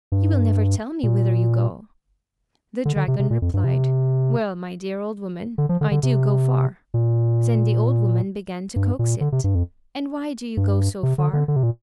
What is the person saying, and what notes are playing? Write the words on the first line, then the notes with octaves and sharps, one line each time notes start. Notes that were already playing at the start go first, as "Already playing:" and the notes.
You will never tell me whither you go." The dragon replied: "Well, my dear old woman, I do go far." Then the old woman began to coax it: "And why do you go so far?
G2
A#2
D3
D3
C3
C3
A#2
F2
G2
C3
D3
F3
D3
D3
C3
A#2
G2
A#2
D3
C3
G2
F2
G2
C3
D3
D3
D3
C3
A#2